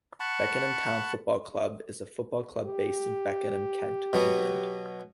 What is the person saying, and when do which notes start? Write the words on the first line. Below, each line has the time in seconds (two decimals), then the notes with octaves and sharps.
Beckenham Town Football Club is a football club based in Beckenham, Kent, England.
0.20 F#5 A5 B5 C#6
2.66 G4
4.13 B2 F#3 B3